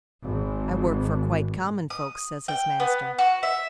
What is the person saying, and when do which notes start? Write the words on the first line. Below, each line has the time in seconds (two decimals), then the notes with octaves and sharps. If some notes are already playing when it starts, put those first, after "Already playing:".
I work for quite common folks,' says his master.
0.24 G#1
1.90 D#6
2.48 G5
2.80 B3
3.19 F#4
3.43 E5